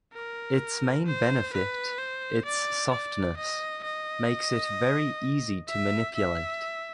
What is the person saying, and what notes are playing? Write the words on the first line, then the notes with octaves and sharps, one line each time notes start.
Its main benefit, its softness, makes it very easy to manipulate.
A#4
C5
B4
C5
D5
D5
D#5
D#5
E5
E5